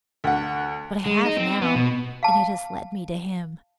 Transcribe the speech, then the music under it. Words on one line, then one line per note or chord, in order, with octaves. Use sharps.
But I have now, and it has led me to Him.
D2 F#5
G#3
D#4
C4
B3
B2
F5 A5